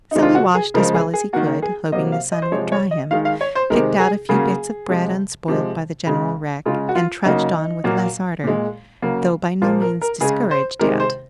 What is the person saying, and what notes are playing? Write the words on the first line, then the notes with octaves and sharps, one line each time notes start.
So he washed as well as he could, hoping the sun would dry him, picked out a few bits of bread unspoiled by the general wreck, and trudged on with less ardor, though by no means discouraged yet.
C3 D#3 G#3 D#4
F4
F#4
G#4
C#3 F3 G#3 A#4
G#4
G#4
D#3 A#3 F#4
G#4
C3 F#3 A#3 D#5
F5
D#5
C5
C3 F3 G#3 C#5
C#5
D#5
D#3 G#3 F5
F5
C#5
C5
C3 D#3 G#3 A#4
G#4
C#3 F#3 A#3 G#4
C3 F3 G#3
C3 F3 G#3
C#3 G#3
C#3 G#3 F4
F#4
F4
C#3 F#3 A#3 D#4
A#2 F#3 A#3
A#2 G#3
C#3 F#3 A#3
A#2 F3 A#3 F4
A#4
A#4
C#3 G#3 G#4
C5
C3 D#3 G#3 A#4
C5